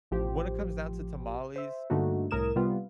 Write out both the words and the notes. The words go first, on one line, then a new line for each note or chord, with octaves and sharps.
When it comes down to tamales,
A1 F3 G4 C5
C5 E5
G2 D3 A3 A#3 D#4 F#4
C2 A2 A#4 D#6 G#6 E7
C3 G3 B3 F4